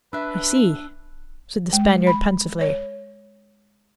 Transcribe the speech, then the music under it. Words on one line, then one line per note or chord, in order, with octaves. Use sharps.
"I see," said the Spaniard pensively.
D4 B4 E5 E6 F#6
G#3
B5
C#5